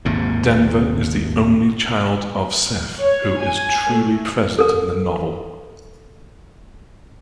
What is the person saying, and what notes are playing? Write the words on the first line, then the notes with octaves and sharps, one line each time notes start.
Denver is the only child of Sethe who is truly present in the novel.
G#1 D#2 G#2 C3
C#5
G#5
A3
A4 A#4